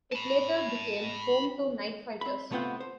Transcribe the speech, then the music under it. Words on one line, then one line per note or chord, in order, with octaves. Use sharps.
It later became home to night fighters.
A5 B5
C4 B5
C3 A3 B3 C4 F4 F#5
C5